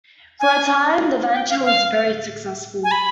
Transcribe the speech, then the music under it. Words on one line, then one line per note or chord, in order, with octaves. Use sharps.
For a time the venture was very successful.
G#5
G5
F5
F5
G#5
B5